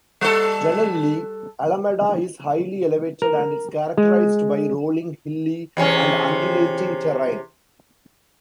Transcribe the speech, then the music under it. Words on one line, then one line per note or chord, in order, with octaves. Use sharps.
Generally, Alamada is highly elevated and its characterized by rolling, hilly and undulating terrain.
G3 A4
A#4
G#3
E2 C3 C#4